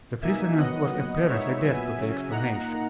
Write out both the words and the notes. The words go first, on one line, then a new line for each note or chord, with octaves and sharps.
The prisoner was apparently deaf to the explanation.
B2 A#3 D#4 E5 G#5
D#3 F#3 B3 D#5 F#5
A#2 F#3 B3
A#2 G#3 B3 D#4 C#5 E5
A#2 F#3 B3 E5 G#5
C#3 F#3 C#4
A#2 A#3 D#4 F#5 A#5